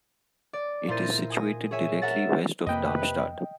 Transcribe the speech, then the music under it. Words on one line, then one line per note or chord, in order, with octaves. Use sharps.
It is situated directly west of Darmstadt.
D5
A#2 E4 A#4 C5 A6 D#7
A#6
G#5 D#6 A#6
G#4 C#5 E5 G#5
A#4 E5 F#5 A6 A#6
F2 C3 A#3 B4 D#5 G5